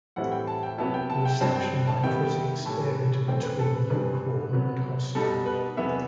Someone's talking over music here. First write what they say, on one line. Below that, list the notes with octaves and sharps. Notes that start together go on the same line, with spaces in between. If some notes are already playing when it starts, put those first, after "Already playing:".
The reception by critics varied between lukewarm and hostile.
A2 E3 G3 C4 E4 F#5
G5
A5
G5
C3 F#3 B3 E4 A5
G5
A5
G5
G2 F#3 C4 A5
G5
A5
C3 D#3 G3 B3 E4 G5
A2 E3 G3 A5
F#2 E3 A3 C4 G5
B4
A4
B4
G2 E3 G3 C4 B4
C3 F#3 B3
B2 G3 D#4 A4
B4
E2 C3 E3 B3 E5